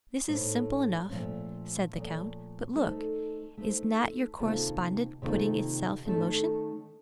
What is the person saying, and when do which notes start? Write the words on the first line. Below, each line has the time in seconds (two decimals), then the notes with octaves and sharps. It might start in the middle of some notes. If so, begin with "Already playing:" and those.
"This is simple enough," said the count; "but look, is not your correspondent putting itself in motion?"
0.27 A2 A3 D#4 A4 C5
1.10 A#2 F3 A3 C#4
1.93 A#2 F3 A3 C#4
2.75 A3 D#4 A4 C5
3.57 A3 D#4 A4 C5
4.40 C3 D#3 A#3 F4 A4
5.22 C3 D#3 A#3 F4 A4
6.05 D#3 A3 C#4 A4